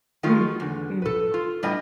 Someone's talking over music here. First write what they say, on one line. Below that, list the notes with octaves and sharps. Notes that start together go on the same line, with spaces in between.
Mm, mm.
D#3 F#3 G#3 D#4 F4
E2 D3
A4 B4
F4
A2 G3 B3 D4 D#5 G5